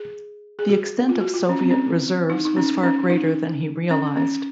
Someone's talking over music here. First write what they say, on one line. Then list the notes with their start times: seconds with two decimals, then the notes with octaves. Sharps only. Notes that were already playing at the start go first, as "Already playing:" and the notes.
The extent of Soviet reserves was far greater than he realised.
Already playing: G#4
0.59 G#4
0.69 F#4
1.09 F4
1.21 F#4
1.34 F4
1.49 C#4
1.60 C4
1.71 C#4
2.30 D#4
2.45 D#4
2.57 C#4
2.83 C#4
3.10 D#4
3.91 C#4
4.17 C#4